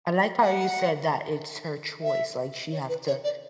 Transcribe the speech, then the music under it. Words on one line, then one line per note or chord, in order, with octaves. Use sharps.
I like how you said that it's her choice, like she have to
G5
F#5
E5
C#5
B4
C#5
D5